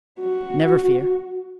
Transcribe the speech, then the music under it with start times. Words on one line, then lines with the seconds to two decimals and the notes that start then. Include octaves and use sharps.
"Never fear."
0.20 F#4